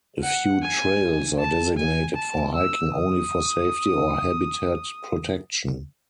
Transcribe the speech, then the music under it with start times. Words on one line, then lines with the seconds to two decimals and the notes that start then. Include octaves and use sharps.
A few trails are designated for hiking only for safety or habitat protection.
0.23 F#5
0.63 G#5
1.40 A5
1.77 G#5
2.16 A5
2.55 E6
2.94 D#6